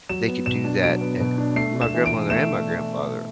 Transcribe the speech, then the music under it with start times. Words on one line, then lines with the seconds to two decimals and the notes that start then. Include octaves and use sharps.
they could do that, and my grandmother and my grandfather,
0.09 F#3 E7
0.28 B3
0.46 B2 E7
0.64 D4
0.83 F#3 D7
1.01 B3
1.20 B2
1.38 D4
1.56 A3 C7
1.75 D4
1.81 E7
1.94 E3
2.06 D7
2.12 E3
2.30 A3 E7